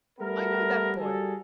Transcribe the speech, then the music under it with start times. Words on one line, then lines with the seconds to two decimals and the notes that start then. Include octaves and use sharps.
I know that boy.
0.19 G3 A3 B3 A#4
0.99 G3 F#4 G#4 A4